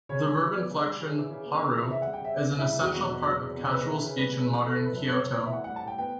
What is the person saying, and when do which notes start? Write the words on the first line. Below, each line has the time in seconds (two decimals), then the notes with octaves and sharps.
The verb inflection "-haru" is an essential part of casual speech in modern Kyoto.
0.09 C#3 C#5
0.25 G3
0.40 C#3
0.55 B3 D5
0.70 C#3
0.85 G3
1.00 C#3
1.15 E3
1.31 C#3
1.46 B3
1.60 C#3
1.76 E3
1.91 C#3 E5
2.02 G3 F#5
2.14 G5
2.21 C#3 E5
2.36 B3 D5
2.51 C#3
2.59 E4
2.66 G3
2.81 E2 F#4
2.97 B2
3.11 E2
3.27 F#3
3.41 E2
3.57 B2
3.72 C#3 B4
3.87 E3
4.02 C#3
4.17 G3 B4
4.32 C#3
4.40 B4
4.47 E3
4.63 B3 A4
4.74 E3 A4
4.85 B4
4.93 F#2 A4
5.08 G3 C#5
5.23 B3 C#5
5.35 E3 D5
5.45 E5
5.53 A2 F#5
5.64 G3 F#5
5.76 A5
5.83 A2 G5
5.98 B3 G5